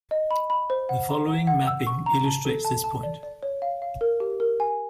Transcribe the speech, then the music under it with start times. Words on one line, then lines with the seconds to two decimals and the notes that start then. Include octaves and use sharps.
The following mapping illustrates this point.
0.11 D#5
0.31 B5
0.50 B5
0.70 C5
0.89 F#5
1.09 A#5
1.28 F#5
1.47 F#5
1.67 E6
1.87 C#6
2.06 A#5
2.25 A5
2.45 A4
2.65 A5
2.84 A5
3.03 D5
3.23 D5
3.43 C#5
3.62 F5
3.82 F5
4.01 A#4
4.20 G4
4.40 A#4
4.60 G#5